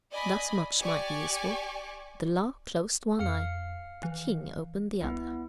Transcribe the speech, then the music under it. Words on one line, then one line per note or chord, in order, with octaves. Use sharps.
Thus much might be useful--the law closed one eye, the king opened the other.
D5 D#5 G#5 B5
G4 D5 G#5 C#6
F2 F5 F6 C#7
E3
C2 B3 E4